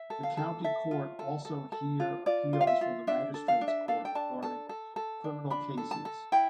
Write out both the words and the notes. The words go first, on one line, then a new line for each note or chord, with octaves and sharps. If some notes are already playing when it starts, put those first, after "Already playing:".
The County Court also hear appeals from the Magistrates' Court regarding criminal cases.
Already playing: E5
A4
F5
A4
A4 E5
F4
A4
A4
A4
F4
F4 D5
F4
F5
E5
F4
D4 E5
A4
F5
D4
E5
A4 F5
G5
D4 A5
A4 A5
A4
A4
D4
D4 B5
A4
A5
A4
E4 G5